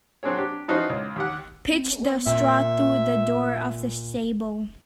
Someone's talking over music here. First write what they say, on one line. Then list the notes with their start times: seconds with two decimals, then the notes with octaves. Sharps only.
Pitch the straw through the door of the stable.
0.23 F#3 C4 D4 G#4 C#5
0.37 D4 G4
0.68 E3 F3 D#4 F#4 B4 C5
0.90 C#2
1.16 D#2 G4 F#5
2.27 A#2 E5